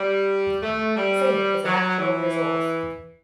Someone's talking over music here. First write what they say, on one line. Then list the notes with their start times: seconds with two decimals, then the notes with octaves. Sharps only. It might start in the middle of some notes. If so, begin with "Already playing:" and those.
Zinc is a natural resource.
Already playing: G3
0.62 A3
0.96 G3
1.65 F#3
1.99 E3